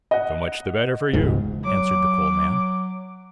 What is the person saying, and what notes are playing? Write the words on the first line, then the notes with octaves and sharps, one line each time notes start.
"So much the better for you!" answered the Coal Man.
D#5 F#5
E1 C#2 G#2
F#3 D6